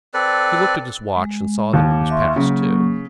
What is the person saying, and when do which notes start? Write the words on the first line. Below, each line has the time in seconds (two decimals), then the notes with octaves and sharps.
He looked at his watch and saw that it was past two.
0.14 C4 A4 B4 D5
1.16 G#3
1.73 D#2
1.91 D6
2.10 E5 C6 C#6
2.36 C#3 F#3 A#3 C#6